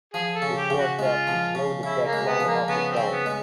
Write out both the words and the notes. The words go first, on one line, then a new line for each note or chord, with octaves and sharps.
Before that he drove the backline of the band.
F3 G#4
A4
C#3
G4
C#3
F#4
G#3 F4
F3
C#3
C#3 E4
A#3
G#3
B3
F3
A#3
C#3 B3
C4
C#3
B3
G#3